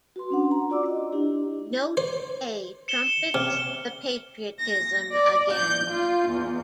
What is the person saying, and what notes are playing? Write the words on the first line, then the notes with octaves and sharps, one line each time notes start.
Note A trumpets the patriotism again.
F#4 B4 C6
C#4 D4 F#5
A#5
F4 F#4 D5 D6 E6
D#5
D4 E4 G4
C5
C#7 E7 G7
C3 F6 G7
A#6
D5
G6
F4
E2